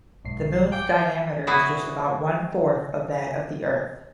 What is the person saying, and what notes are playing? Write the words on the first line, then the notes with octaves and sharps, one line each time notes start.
The moon's diameter is just about one-fourth that of the earth.
B1 G#2 C7
F5 G5 G#5 D6
B3 E4 F#4 G#4